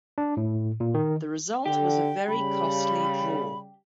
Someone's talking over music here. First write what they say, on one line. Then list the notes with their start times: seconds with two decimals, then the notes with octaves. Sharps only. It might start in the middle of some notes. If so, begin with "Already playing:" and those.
The result was a very costly draw.
0.18 D4
0.37 A2
0.80 A#2
0.94 D#3
1.66 D3 G4
2.28 C#3 G3 B5